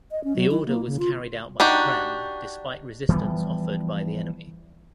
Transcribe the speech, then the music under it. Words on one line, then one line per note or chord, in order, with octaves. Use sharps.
The order was carried out by Prem despite resistance offered by the enemy.
D#5
C#4
F#3
E4
A#3
C#3
F4
D4 D#4 F#4 G4
E3 F3 G3 B3